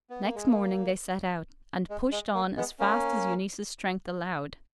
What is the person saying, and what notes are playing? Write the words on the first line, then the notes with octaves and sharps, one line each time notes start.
Next morning, they set out and pushed on as fast as Eunice's strength allowed.
B3
A#3
G#3
A#3
G#3
G#3
A#3
G#3 B3
A#3 C#4